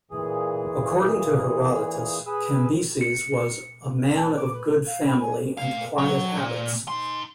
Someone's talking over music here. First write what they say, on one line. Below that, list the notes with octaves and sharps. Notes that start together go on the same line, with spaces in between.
According to Herodotus, Cambyses was "a man of good family and quiet habits".
A#2 E3 G#4
G#4 B4 D#6 E6
C#7
A5
D6
B4
F5
B5
G#5
A#2 F5
F#3
A#2
D#4 C6